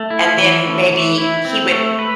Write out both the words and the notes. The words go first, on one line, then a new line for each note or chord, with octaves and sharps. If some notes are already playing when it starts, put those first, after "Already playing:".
and then maybe he would
Already playing: A3
E4
E3
A3
E3
E4
C4
A3
B4